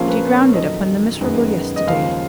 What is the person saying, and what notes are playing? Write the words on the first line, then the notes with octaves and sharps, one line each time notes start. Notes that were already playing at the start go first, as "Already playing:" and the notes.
Did he ground it upon the miserable yesterday?
Already playing: A#1 A#2 F3 A#3 C#4 F5
B4
C#5
F2 D#3 F#3 D#5
F#2 D#3 G#3 B3
D#5
D#2 C#3 F3 G#3 F5